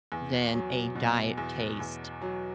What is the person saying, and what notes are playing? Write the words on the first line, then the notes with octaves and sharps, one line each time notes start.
than a diet taste.
E2
F#3
B2
E2
E2
F#3